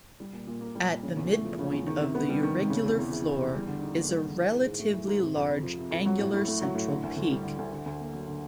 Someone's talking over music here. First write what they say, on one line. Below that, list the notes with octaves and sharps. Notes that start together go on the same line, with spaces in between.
At the midpoint of the irregular floor is a relatively large, angular central peak.
G3
A#2
A#2
A#3
G3
A#2
C#3
E2
A3
F3
C#3
E2
D#3
C3
B3
G3
D#3
C3
C#3
E2
E2
E3
C#3
E2
G3
D3
D#4
A#3
G3
D3
E3
G#2
G#2
A3
E3
G#2
C3
F2
F2
F3
C3
F2
F#3
A2
A2
A3
F#3
A2
D3
D2
D2
G3
D3
D2
D3
D2
A#3
F#3
D3